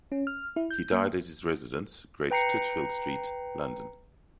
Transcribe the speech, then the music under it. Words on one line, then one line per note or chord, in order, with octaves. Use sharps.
He died at his residence, Great Titchfield Street, London.
C#4
F6
E4
G6
A#3
B4 G5 A#5 C7 C#7